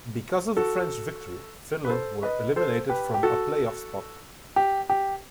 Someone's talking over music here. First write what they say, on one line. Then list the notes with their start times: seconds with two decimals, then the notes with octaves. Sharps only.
Because of the French victory, Finland were eliminated from a playoff spot.
0.57 F#4 A4
1.85 B4
1.90 A4 C5
2.23 B4 D#5
2.56 A4 C5
2.89 G4 B4
3.14 G4
3.23 F#4 A4
4.56 G4
4.90 G4